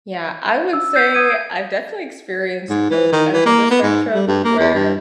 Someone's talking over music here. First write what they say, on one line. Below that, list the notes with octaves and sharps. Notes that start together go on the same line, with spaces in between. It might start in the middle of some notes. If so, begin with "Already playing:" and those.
Yeah, I would say, I've definitely experienced both ends of the spectrum, where
E6
G6 C7
D#6 G#6 D#7
G#2
E3
D#3
E3
A#3
B3
G#2
G3
G2
A#3
E2
G2